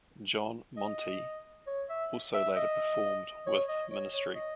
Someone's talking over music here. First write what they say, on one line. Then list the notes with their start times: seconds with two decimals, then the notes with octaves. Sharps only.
John Monte also later performed with Ministry.
0.77 D#5
1.67 C#5
1.89 E5
2.34 E5
2.56 D#5
3.46 C#5
3.68 D#5
3.91 C#5
4.13 C#5
4.35 D#5